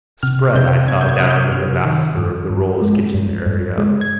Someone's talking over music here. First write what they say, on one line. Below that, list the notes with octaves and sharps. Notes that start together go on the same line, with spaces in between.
Spread I saw down in the Master of the Rolls' kitchen area.
C3 F6
C3 G6
C3 G#6
G6
G#6
D#6
C3 F6
G6
C3 F6
D#3
G2
G2
G#3
G2
G2
G#3
G#6